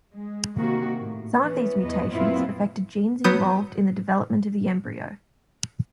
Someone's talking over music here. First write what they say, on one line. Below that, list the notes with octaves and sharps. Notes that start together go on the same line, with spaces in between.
Some of these mutations affected genes involved in the development of the embryo.
G#3
C3 D#3 A#3 F#4
A2
E3 B3 C#4
E2 F#3 B3 D#5
F#2 A#2 B3 C4 E4 F4
F#3 B3 D#6 G6